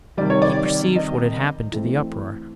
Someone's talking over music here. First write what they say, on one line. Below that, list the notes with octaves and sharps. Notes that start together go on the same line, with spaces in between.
He perceived what had happened to the uproar.
C3 D#3 G3 D5
C#5
D5
D#5
E3 A3 C4